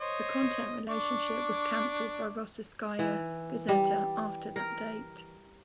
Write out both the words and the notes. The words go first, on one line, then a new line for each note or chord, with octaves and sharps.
The content relationship was cancelled by Rossiyskaya Gazeta after that date.
C5 C#5 D#5
D4 C#6 D6
E3
G3
A#4